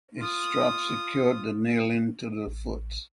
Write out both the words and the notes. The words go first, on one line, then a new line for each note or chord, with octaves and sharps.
A strap secured the nalin to the foot.
F4 D#6
A1